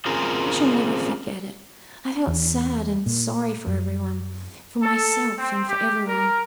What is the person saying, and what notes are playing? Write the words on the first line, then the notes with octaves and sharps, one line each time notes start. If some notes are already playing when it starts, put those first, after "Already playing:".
I shall never forget it: I felt sad and sorry for everyone, for myself, and for everyone.
C4 C#4 F4 G#4 A#4 C5
E2
A#2
F#2
A4
C4
G4
A#4